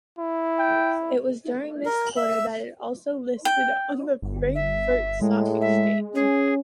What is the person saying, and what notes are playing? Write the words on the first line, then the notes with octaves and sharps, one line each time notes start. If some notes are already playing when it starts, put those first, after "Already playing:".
It was during this quarter that it also listed on the Frankfurt Stock Exchange.
E4
G5
A#4
E5
G5
G1
E5
A2 G#3
E5
C#4 G#4